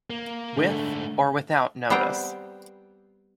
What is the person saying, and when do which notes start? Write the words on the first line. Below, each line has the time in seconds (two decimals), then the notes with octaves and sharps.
With or without notice.
0.10 A#3
0.57 G#2 D3 A3
1.90 G3 B3 C4 C5 G5 A#5